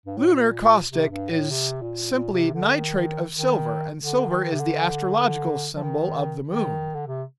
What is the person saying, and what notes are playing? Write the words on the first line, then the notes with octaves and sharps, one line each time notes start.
Lunar caustic is simply nitrate of silver, and silver is the astrological symbol of the moon.
G2
A2
A#2
C3
G2
A2
C3
A#2
A#2
C3
D3
D#3
D#3
D3
D#3
C3
D3
F3
D#3
D#3
D3
C3